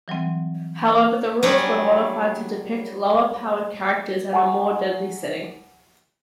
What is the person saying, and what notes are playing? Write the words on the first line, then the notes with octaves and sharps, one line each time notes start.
However the rules were modified to depict lower-powered characters and a more deadly setting.
E3 F#3 G3 C4
F#3 G3 D4 G#4
F#5 G#5 A#5 C#6